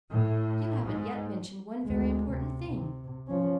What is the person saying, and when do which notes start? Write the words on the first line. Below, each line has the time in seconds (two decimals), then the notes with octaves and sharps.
You haven't yet mentioned one very important thing.
0.11 A2
0.85 G#2
1.83 D2 G#3
2.31 C3
2.70 C3
3.27 F3 C#4